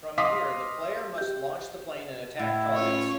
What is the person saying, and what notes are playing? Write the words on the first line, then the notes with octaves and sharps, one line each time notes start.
From here the player must launch the plane and attack targets.
D#5 F5 C6 D6 D#6 B6
G4 G6
A2 E4
C#4 F4 C#5